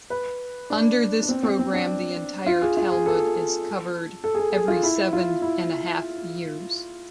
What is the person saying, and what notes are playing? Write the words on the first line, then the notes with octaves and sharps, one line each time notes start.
Under this program, the entire Talmud is covered every seven and a half years.
B4
D4
D4
C4
C4
C4
D4
F4
G#4
F4
G#4
A4
A4
G#4
A4
G#4
F4
E4
F4
E4